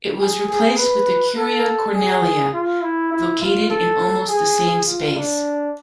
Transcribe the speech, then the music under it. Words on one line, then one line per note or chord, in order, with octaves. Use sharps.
It was replaced with the Curia Cornelia, located in almost the same space.
G#4
G#4
B4
A4
G#4
F4
E4
E4
F4
A4
G#4
F4
D4